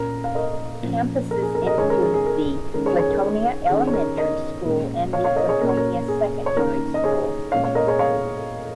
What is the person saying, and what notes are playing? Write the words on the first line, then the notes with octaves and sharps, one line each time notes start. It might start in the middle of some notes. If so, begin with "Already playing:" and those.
Campuses include the Flatonia Elementary School and Flatonia Secondary School.
Already playing: A#2 A#3 C#4 A#4
F5
A#4 D#5
A#2 F3 C#4
A#4
G#4
A#4
A#4 D#5
D#3 G#3 C#4 G#4 C#5
A#4
G#4
G#4
A#4
D#3 G#3 C#4 A#4
G#4 C#5
G#4 C#5
A#4
D#3 C#4 G#4
C#5
A#4
A#4 D#5
A#2 G#3 C#4
C#5 F5
C#5 F5
A#4 D#5
G#4 C#5
A#2 A#3 C#4 A#4
C#5
A#4
G#4
C#5
D#3 A#3 C#4 A#4
D#5
G#4 C#5
A#2 G#3 C#4 C#5 F5
C#5 F5
A#4 D#5
G#4 C#5
C#5 F5